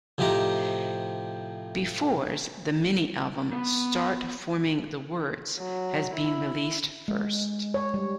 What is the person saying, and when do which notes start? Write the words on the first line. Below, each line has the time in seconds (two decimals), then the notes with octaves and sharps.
Befores, the Mini Album "Start Forming The Words" has been released first.
0.18 A2 C3 F3 D#4 G4 A#5
3.51 B3
5.58 F#3
6.14 E4
7.08 G#3
7.74 C#5
7.94 G3